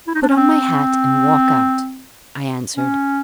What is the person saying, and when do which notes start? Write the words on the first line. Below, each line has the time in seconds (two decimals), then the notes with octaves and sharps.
'Put on my hat and walk out,' I answered.
0.07 E4
0.15 D#4
0.22 D4
0.29 C#4
0.37 C4
2.76 C#4